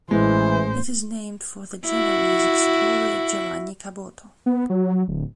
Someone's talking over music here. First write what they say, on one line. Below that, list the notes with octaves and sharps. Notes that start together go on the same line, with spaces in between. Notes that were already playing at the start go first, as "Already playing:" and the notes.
It is named for the Genoese explorer Giovanni Caboto.
A1 E3 G#3 C5
E4 F#4
B3
F#3
D1